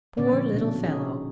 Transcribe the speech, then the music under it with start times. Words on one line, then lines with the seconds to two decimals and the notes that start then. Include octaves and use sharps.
Poor little fellow!
0.17 A#2 D3 C#4 D5
0.32 F3
0.54 B2 D4
0.84 C#4 D#4 G#4